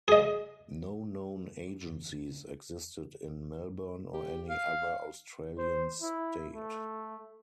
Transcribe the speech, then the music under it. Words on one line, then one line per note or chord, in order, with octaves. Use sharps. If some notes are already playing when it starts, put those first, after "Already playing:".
No known agencies existed in Melbourne or any other Australian State.
G#4 D#5
G4
F5
C5
E4
A3